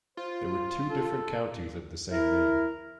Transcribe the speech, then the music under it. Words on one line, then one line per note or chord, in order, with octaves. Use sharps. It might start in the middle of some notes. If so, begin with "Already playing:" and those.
There were two different Counties of the same name.
F4 C5
A4
E4 A#4